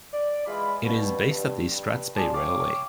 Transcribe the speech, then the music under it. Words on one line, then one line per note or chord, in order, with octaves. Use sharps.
It is based at the Strathspey Railway.
D5
E3 G#3 F4 B5
G2 B2
G2
D4 F4 G#4 D5 G#5 A5
C#5 F5 G5 C#6 D6